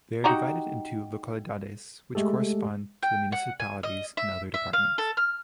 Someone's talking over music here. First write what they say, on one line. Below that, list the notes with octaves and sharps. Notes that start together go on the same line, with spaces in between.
They are divided into "localidades", which correspond to the municipalities in other departments.
D#4 F#4 G4 A#5
G#3 A3 G4 A4
G5
F#5
G#5
D#5
E5
E5
F5
A4
F6